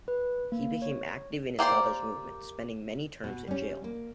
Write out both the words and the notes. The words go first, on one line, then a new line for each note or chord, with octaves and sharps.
He became active in his father's movement, spending many terms in jail.
B4
A#3
C#5
A#3 G4 C5 D5
B2
G3 C#4
A#3